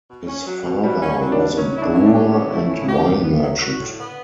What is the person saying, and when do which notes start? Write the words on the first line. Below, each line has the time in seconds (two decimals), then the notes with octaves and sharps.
His father was a brewer and wine merchant.
0.09 B2
0.27 C#4
0.46 F#3
0.64 B2
0.83 B2 G3
1.02 C#4
1.08 G3
1.21 F#3
1.32 D4
1.39 B2
1.57 F#3 C#4
1.77 E4
1.82 D4
1.94 C#4
2.06 D4
2.14 G4
2.31 F#3 C#4
2.50 E4
2.56 A3
2.69 C#4
2.82 C#3
2.87 G4
3.05 A2 D3
3.24 B3
3.42 F#3
3.61 F#4
3.79 A2
3.99 B3